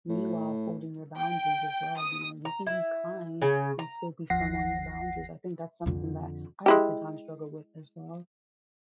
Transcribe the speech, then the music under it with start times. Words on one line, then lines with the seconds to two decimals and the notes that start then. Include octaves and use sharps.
meanwhile holding your boundaries as well, you know, you can be kind and still be firm on your boundaries. I think that's something that I oftentimes struggle with as well,
0.09 A2
1.19 G5
1.97 D#6
2.45 A#5
2.67 E4
3.42 C#3
3.79 A#5
4.30 G1 D#2 F3 F#5 A#6 C7
5.86 F2 D3
6.66 G#3 E4 G4